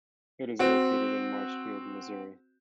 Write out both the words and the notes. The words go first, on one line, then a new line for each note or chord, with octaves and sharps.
It is located in Marshfield, Missouri.
C4 F#4